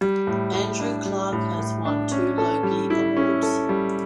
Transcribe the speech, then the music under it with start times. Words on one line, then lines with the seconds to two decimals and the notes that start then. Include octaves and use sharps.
Andrew Clarke has won two Logie Awards.
0.01 G3
0.27 A2
0.53 A2
0.80 D4
1.06 G3
1.33 A2
1.59 A2
1.85 D4
2.11 C#4
2.38 A4
2.63 G3
2.90 E4
3.17 C#4
3.43 A4
3.69 G3